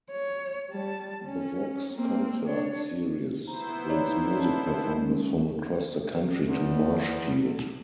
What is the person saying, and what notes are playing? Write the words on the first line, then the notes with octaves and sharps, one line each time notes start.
The Vox Concert Series brings music performers from across the country to Marshfield.
C#5
G3 A5
C#4
A#3 C4
D4 C#5
B3 E4 C5 A#5
D#4 C#5 D5 A#5
A5
G#3 C#4
E2